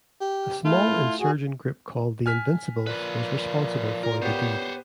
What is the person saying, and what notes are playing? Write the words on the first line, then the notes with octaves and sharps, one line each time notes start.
A small insurgent group called the Invincibles was responsible for the deed.
G4
A3 E4 F4
D3 F#4 G#4
G#5 F6 B6
A#2 F3 B4
F4 A#4
B3 G4 C5 C#5